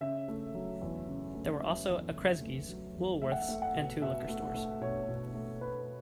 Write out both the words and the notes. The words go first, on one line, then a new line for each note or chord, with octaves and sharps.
There were also a Kresge's, Woolworth's, and two liquor stores.
C#3 E5
A3
F#3
E2
C#3
A3
F#3 E5
E2
C#3
A3
F#3
E2
A3 E5
F#5
E5
A3
F#5
B2
B2 E5
A3
A3
B2 C#5
B2
A3
A3 B4